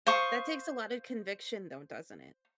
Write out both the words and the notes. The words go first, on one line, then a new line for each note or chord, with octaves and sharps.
That takes a lot of conviction though, doesn't it?
C5 F5 C#6 D#6